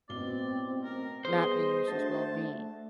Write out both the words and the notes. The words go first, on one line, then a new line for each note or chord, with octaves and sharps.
not a user's well-being.
A1 B2 C4 D5 G7
A#4
G3 B3 G#4 C5 D#5
A3 D4 F#4 A5